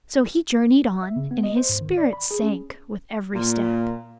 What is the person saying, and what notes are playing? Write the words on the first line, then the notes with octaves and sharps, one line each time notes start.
So he journeyed on, and his spirits sank with every step.
E5
C#3
B3
D#5
C5
G#2
D#3
D5
B5
G#4
C#4
A#2